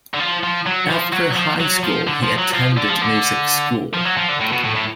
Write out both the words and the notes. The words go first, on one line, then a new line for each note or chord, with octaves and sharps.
After high school, he attended music school.
D3
F3
F3
F#3
F3
F#3
F3
F#3
F3
D3
F3
F#3
F3
D3
F3
D3
F3
F#3
F3
D3
A2
B2
A2
A2